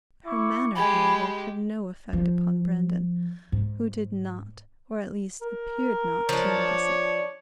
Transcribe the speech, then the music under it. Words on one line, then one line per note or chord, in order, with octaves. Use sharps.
Her manner, however, had no effect upon Brandon, who did not, or at least appeared not to notice it.
E4 C#6 D6
G#3 G4 G#5 B5
F3
G#2
A#4
F3 D4 C#5